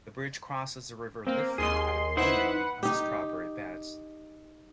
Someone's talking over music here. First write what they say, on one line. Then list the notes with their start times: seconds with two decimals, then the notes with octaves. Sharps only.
The bridge crosses the River Liffey at a point known as the Strawberry Beds.
1.27 A#3 C4
1.58 D#2 G#4 D#5 C6
2.17 D#4 E4 B4 C5 F#5
2.83 D#4 G4